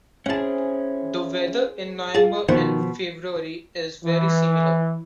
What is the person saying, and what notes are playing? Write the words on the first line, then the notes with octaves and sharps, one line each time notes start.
The weather in November and February is very similar.
C4 C#4 E4 G#4 F#5 A5
F4 G#4 A5
B2 D#3 F3 B3 C5 F#5 G#5
E3